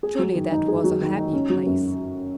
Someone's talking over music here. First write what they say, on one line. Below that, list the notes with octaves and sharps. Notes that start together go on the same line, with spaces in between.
Truly that was a happy place.
G#4
F#3
D#3
D#4
G#4
F#3
D#3
D#4
C#4
F#3
F#2